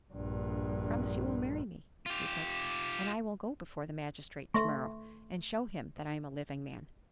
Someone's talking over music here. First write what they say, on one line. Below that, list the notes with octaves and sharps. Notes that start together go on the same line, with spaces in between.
"Promise you will marry me," he said, "and I will go before the magistrate to-morrow, and show him that I am a living man."
A#1 G2
F4 G4
A3 E5 C6 C#6